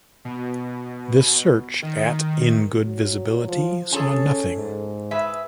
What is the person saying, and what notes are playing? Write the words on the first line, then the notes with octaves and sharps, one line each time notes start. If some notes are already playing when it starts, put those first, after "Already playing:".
This search at in good visibility saw nothing.
B2
D#3
F#3
F3
C#4 G#4 A4 A5
G#2
G#4 B4 E5